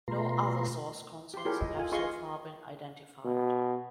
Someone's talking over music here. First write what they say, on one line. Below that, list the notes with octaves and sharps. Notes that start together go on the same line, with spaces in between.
No other source concerts have so far been identified.
B2 A3 F4 B4 A#5 C6
G4 C6
E4 F4 G4 G#4 A#4 C#5
D#5
F4 A4 G#5
F4 G#4 D#5 C6 C#6
B2